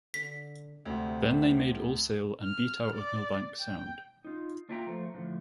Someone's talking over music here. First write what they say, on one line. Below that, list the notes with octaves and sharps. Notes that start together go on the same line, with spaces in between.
Then they made all sail and beat out of Milbanke Sound.
D3 B6
D2 C3
F6
D5
G5
D#4 F4
A#3 D4 F4 E5 G5 A#5
F3 A3 C5
A2 D3 F3 A3